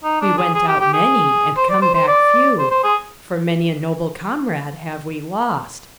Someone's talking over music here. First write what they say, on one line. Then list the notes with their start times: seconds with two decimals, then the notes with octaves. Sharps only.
We went out many, and come back few, for many a noble comrade have we lost.
0.04 D#4
0.21 D4
0.37 G#4
0.55 G#4
0.68 G4
0.80 G4
0.93 G#4
1.57 C5
1.69 D5
1.82 C5
1.94 C5
2.07 D5
2.59 C5
2.71 C5
2.84 G#4